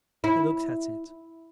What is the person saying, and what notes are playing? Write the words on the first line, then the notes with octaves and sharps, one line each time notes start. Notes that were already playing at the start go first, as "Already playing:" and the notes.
He looked at it.
E4